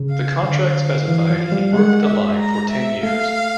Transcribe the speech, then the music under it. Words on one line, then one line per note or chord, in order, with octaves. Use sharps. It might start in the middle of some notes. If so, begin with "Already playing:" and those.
The contract specified he work the line for ten years.
Already playing: C#3
F5
D3 F5
E3
F3
G3
G#3 F#5
E5
A#5
E5
A3 F5